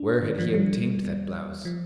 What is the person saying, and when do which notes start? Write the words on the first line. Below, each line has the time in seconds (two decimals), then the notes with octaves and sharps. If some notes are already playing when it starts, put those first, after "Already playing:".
Where had he obtained that blouse?
Already playing: D4
0.23 D#3
0.38 F3
0.54 G3
1.65 F3